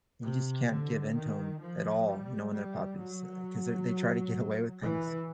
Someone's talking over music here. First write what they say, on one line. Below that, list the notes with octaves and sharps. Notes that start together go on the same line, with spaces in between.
you just can't give into 'em at all, you know, when they're puppies, uh, 'cause they're they try to get away with things,
C3
D3
D#3
F3
G3
G3
F#3
E3